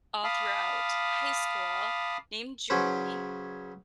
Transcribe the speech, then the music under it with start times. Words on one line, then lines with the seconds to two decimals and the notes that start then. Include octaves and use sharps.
all throughout high school named Julie,
0.24 F5 A5 B5 D6 D#6 F6
2.70 C#3 F#3 C#4 B4 C5